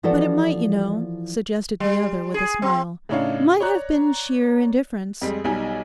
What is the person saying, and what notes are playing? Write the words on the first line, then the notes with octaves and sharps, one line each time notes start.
'But it might, you know,' suggested the other with a smile--'might have been sheer indifference.'
E3 F3 E4 F#4 A4 D5
G3
G#4
C4
A2 C#3 D4 D#4 C#5 F5
C#5 D5 A#5 F#6
F2 G3 G#3
B1 G3 D#4 G#5